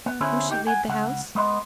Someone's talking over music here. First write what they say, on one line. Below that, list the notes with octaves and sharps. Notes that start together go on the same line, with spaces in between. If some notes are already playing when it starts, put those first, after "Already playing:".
Who should lead the House?
B3
D3 B3 C#4 E4 G#4 C5
D3 D#4 G4 G5
F#5 G#5
C#2 F#5
G#3 B3 D#5 C6